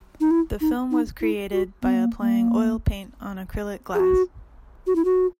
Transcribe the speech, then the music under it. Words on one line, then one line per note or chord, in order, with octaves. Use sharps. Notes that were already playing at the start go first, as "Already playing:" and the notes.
The film was created by applying oil paint on acrylic glass.
D#4
E4
D#4
D#4
E4
F#4
B3
A#3
A#3
G#4
F#4
F#4
E4
F#4